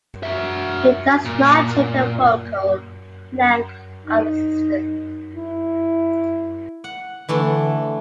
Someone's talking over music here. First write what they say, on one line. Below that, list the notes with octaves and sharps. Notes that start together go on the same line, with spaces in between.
It does not change the focal length of the system.
F#4 E5
A#2
D#4
E4
F#5
D3 E3 A3 D4